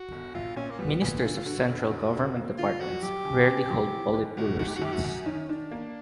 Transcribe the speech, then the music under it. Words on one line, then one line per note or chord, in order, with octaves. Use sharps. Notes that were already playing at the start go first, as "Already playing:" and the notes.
Ministers of central government departments rarely hold Politburo seats.
Already playing: F#4
G1
A#1 F4
A#2 C#4
A#3
G3 B3
A#2 B3
D3 F4
F4
D3 F#4
F1 F#4
F1
D3
A#3
D3 F4
F2 F#4
F#3 G4
C#3
C#3
F#3
E3
G#2
G#1 F#4
G#2 F#4
G4
F#4
F#2 G4
F#4
F#2
D#3 C#4
D#3 D4
A#3